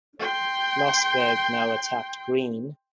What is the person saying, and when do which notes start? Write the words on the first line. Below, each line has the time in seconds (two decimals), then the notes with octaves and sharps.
Lossberg now attacked Greene.
0.19 G5 C6